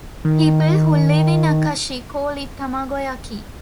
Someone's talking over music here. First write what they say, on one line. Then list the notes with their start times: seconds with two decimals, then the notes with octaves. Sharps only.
People who live in Akashi call it tamagoyaki.
0.25 D#3